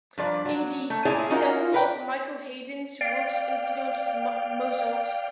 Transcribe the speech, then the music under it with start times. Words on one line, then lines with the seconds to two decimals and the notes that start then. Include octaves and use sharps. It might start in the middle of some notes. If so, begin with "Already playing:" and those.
Indeed, several of Michael Haydn's works influenced Mozart.
0.18 G2 F3 D5
0.45 F#3
0.90 A3
1.05 A#2 E4 G#4 C#5 D5 G#5
1.30 C#4 D#4 F4 F#4 A#4
1.72 A#4 B4 G5
3.01 D5 F5 G5